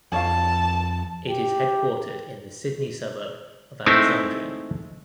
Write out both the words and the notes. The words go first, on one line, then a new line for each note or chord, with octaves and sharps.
It is headquartered in the Sydney suburb of Alexandria.
F2 C#5 F5 A5
G4
G#3 A3 C4 D#4 E4